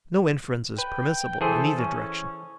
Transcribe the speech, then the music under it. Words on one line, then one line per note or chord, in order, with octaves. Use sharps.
No inference is permissible in either direction.
B4 G5
E3 G#4 A4 C5
C#4